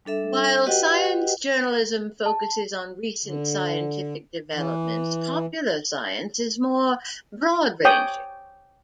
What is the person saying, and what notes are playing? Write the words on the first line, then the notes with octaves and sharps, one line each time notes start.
While science journalism focuses on recent scientific developments, popular science is more broad-ranging.
G3 D4 A4 E5
F#4 G4 B4 D#5 F#5 G5
A5
D3
E3
C#5 G5 D#6